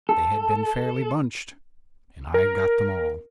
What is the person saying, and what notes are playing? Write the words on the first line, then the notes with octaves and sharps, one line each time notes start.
They had been fairly bunched, and I got them all.
A4
A#4